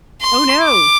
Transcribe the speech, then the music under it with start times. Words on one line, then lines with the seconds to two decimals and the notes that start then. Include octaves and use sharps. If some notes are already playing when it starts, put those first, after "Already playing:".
Oh, no.
0.22 C6
0.64 D6